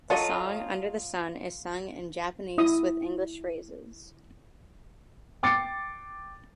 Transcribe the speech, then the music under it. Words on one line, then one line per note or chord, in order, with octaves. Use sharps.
The song "Under the Sun" is sung in Japanese with English phrases.
F#3 F4 A4 D#5
E4 D#6
G5 D6 A6 C7 C#7